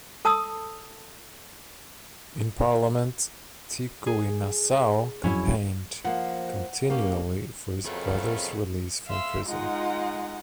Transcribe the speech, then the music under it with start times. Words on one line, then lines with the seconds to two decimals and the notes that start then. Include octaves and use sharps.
In parliament, Tikoinasau campaigned continually for his brother's release from prison.
0.25 A4 A5 D#6 E6
4.07 G#4
5.24 F2 F#3 C#4 E4
6.05 F3 A#3 F#5
6.90 A#3 C#4 G4
7.85 F2 B2 F#3 A3 C#4 G#4 A#4 F5
9.05 E5 F5 C6 E6
9.44 G#3 D#4 F4 F#5